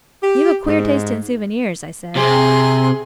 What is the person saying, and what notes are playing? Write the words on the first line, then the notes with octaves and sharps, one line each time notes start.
'You've a queer taste in souvenirs,' I said.
G4
G#2
C3 G#4 C6